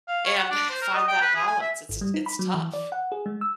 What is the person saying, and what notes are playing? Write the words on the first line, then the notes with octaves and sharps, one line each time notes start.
and find that balance. It's it's it's tough.
F5
C#5
F#5
D4
C5
A#4
D#5
G5
B4
G#4
G#5
E5
G#1
G3
D#4
B5
F#3
E3
D5
F#5
G#4
G#3
E6